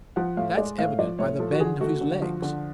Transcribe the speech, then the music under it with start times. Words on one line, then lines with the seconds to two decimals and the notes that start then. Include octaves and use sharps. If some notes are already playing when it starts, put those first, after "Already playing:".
That's evident by the bend of his legs.
0.16 F3 F#5
0.37 A2 F5
0.57 G#3 D5
0.78 A2 F5
0.98 F3 D5
1.19 A2 C#5
1.40 F3 A4
1.52 F#4
1.60 D3 G#4
1.81 A3 F#4
2.01 D3
2.22 F3
2.42 D3